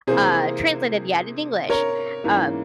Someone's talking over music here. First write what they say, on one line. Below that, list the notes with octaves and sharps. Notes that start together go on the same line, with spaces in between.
uh, translated yet in English," um,
C3 E3 A#3 G#4 C5
A#4 C#5
G#2 E3 A#3 C#4